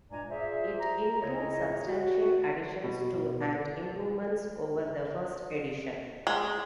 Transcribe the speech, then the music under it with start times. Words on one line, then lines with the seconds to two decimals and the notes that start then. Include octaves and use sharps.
It includes substantial additions to and improvements over the first edition.
0.11 G2 A#2 G#3 D5 G#5 A#5
0.30 F4 G#4 C5 D5 E5
0.80 A#5
1.22 C#2 C#3 E4 C#5 D#5
1.87 F#4
2.84 B2
3.41 D4
6.27 G#3